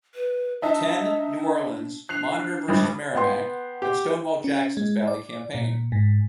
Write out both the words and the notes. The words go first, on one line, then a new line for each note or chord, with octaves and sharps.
Ten, New Orleans, "Monitor" versus "Merrimac", and Stonewall Jackson's Valley Campaign.
B4
D4 D#4 E5 A5
D4 F#6 C7 F7
G#1 G2
B3 F#5 G5 C6
G4
C#4
G#3
D5
A#2
G#2